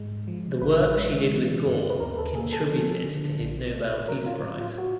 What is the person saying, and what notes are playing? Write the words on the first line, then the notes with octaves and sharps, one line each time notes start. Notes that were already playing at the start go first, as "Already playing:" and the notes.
The work she did with Gore contributed to his Nobel Peace Prize.
Already playing: G#2 G#3
F3
A1 B4
G#3
E3
G2
B4
D#2 A#4
A4
A#3 G#4
A4
G#4
F3 A4
D3
A#1
A3
F#3 A#4
F4
A2
F4
F#4